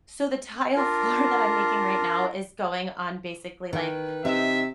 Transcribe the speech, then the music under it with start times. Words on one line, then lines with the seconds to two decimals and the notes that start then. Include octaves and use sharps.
So the tile floor that I'm making right now is going on basically, like,
0.76 D4 F4 A#4
3.73 D#3 B4
4.25 C3 D#4 E5